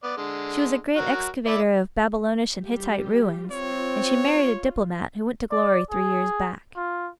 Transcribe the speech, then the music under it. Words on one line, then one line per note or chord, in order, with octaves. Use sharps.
She was a great excavator of Babylonish and Hittite ruins, and she married a diplomat who went to glory three years back.
B3 D5
D3 G#3
F#3 F#4 A#4
E4 D5 E5
G3 G4
C4 F4 C#5
D5
G#4
F4